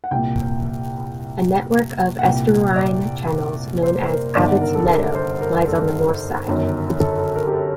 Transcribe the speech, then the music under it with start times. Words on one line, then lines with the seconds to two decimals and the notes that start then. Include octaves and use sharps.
A network of estuarine channels known as Abbotts Meadow lies on the north side.
0.04 F#5
0.11 C2 A#2 G5
2.19 F#5
2.23 C2 A#2 G5
2.76 D5
3.82 C5
4.08 A#4
4.35 G1 G2 D#3 D5
4.49 F#5
4.61 A#4
4.75 A4
4.88 A#4
5.15 C5
5.41 A#4
5.68 A4
6.47 G1 F#2 D#3
7.00 A4
7.18 A4
7.36 A#4
7.47 G4
7.53 A4